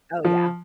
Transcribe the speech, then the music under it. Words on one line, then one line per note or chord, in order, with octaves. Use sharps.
Oh, yeah.
F3